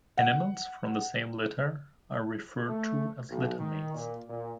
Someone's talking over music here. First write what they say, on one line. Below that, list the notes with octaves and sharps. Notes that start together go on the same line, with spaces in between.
Animals from the same litter are referred to as litter-mates.
F#5
A3
B1
D#3
A#2
A#2